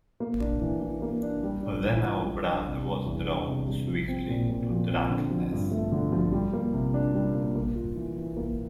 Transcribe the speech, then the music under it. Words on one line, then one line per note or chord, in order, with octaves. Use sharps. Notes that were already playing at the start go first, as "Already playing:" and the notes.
Then our brother was drawn — swiftly — to drunkenness.
A#3
D4
E3
E3
A#3
D4
G3
D4
E3
F4
G3
D4
C3
G3
E2
D4
C3
G3
F3
C4
A#2
A#2
F3
C4
D3
F3
G2
A3
D3
F3
G3
A#3
C3
D4
G3
A#3
A#3
F4
E3
E3
A#3